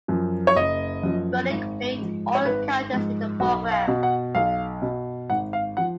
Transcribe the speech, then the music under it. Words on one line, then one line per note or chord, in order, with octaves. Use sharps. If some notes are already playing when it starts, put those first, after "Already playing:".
Burdick played all characters in the program.
F#2 F3
C#5
F#1 D#5
F#2 F3
G#1
G#2 F3
C#5
G#1 B4
G#2 F3
B1 F#4
F5
B2
F#5
B1 F5
B2
G#1 F#5
F5
F3 F#5